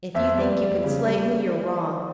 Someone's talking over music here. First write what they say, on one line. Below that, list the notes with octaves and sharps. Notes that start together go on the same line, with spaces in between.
If you think you can slate me, you're wrong.
F2 E5
G3 D5
G3
C#3
G3